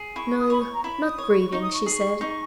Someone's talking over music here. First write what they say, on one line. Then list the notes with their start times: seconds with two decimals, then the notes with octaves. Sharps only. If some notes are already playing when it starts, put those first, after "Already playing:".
"No, not grieving," she said.
Already playing: G#4
0.16 E4 C#6
0.39 D#6
0.50 C#5 B5
0.61 C#6
0.73 A#5
0.84 E4 B5
1.06 D#6
1.18 C#5
1.30 C#6
1.52 D#4 C#6
1.62 D#6
1.73 C#6
1.86 G#4
2.21 D#4